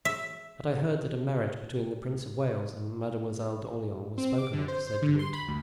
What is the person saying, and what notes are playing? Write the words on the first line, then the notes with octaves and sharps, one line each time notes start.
"But I heard that a marriage between the Prince of Wales and Mademoiselle d'Orleans was spoken of," said De Winter.
E5
C4
D6
D3
C5
C5
D3
C6
B5
D2